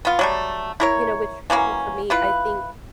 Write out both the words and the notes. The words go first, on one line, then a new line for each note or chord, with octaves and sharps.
eh, you know, with travel for me, I think,
B3 F4
F#3 G3 A3
E4 A#4 C#5
E3 F#3 A#3 C#4
E4 F4 B4